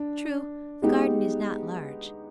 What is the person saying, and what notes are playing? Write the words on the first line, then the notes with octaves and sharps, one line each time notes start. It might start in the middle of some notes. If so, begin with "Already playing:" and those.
"True, the garden is not large."
Already playing: D4
G#3 B3 D#4 G4